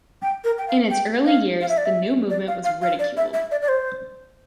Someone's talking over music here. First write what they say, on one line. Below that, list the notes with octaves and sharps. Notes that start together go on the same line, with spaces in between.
In its early years the new movement was ridiculed.
G5
A#4
G5
F5
G5
F5
F5
E5
D5
E5
D5
F5
F5
F5
D5
E5
E5
D5
D5
C5